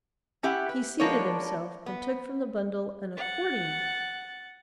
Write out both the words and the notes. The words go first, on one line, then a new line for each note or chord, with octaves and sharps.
He seated himself and took from the bundle--an accordion!
C#4 E4 G4 E5 F#5
B4
F3 G#3 A#3 B3 D4 C#5
B3
F#5 A6